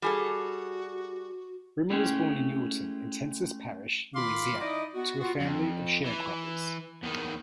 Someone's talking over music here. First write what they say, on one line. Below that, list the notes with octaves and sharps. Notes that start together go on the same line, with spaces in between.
Brimmer was born in Newellton in Tensas Parish, Louisiana, to a family of sharecroppers.
G3 F#4 G#4 A4
G#3 A3 C#4 E4 F#4 G4
D#3 F4 F5 B5 C6 D6
D#4 E4 D5 D#5
B3 F#4
B3 F4 F#4
F2
E3
E2 D#3